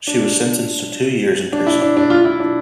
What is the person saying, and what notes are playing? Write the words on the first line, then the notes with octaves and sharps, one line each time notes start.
She was sentenced to two years in prison.
D4
D4
E4
D4
D4
F4
E4
D4